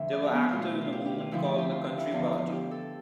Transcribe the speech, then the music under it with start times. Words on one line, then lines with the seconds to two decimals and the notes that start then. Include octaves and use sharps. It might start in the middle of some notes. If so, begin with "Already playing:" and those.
They were active in the movement called the Country Party.
Already playing: F2 A2 D3 A3 E5
0.13 D5
0.22 G4
0.32 B3
0.42 C4
0.52 B2 A3 F4
0.62 E4
0.72 D4
0.81 F4
0.92 G4
1.06 G4
1.19 F4
1.31 D2 D3 F3 E4
1.44 G4
1.58 G4
1.72 F4
1.85 F4
1.98 E4
2.11 E2 D3 F3 F4
2.25 E4
2.38 F4
2.52 G4
2.71 A4